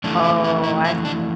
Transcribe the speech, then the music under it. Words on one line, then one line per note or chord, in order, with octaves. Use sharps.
Oh, I see.
F2 E3 A3 D4
E4
E4
E4
E4
D4